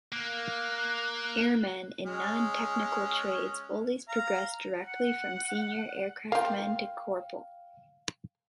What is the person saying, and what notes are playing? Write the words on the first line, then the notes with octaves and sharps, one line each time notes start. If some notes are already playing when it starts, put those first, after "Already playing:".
Airmen in non-technical trades always progressed directly from senior aircraftman to corporal.
A#3 F#6
G#3 C#4
F5 A#5
F#5 C#7
A#3 F4 F5 G5